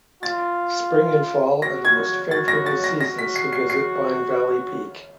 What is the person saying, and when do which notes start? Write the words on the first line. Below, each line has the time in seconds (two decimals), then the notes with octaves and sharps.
Spring and fall are the most favorable seasons to visit Pine Valley Peak.
0.23 F4 A6
1.62 F#4 A#6
1.85 G#6
2.31 F#4 A6
2.48 A#6
2.66 A6
2.84 A#6
3.00 F#4 A#6
3.19 B6
3.36 C7
3.53 C7
3.70 C7